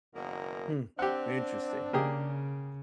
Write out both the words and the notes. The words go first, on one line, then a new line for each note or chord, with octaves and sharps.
Hmm. Interesting.
F#1 B2 D#3 A#3
D3 C4 D4 G4 F#5
C#3 A#3 G4 G#4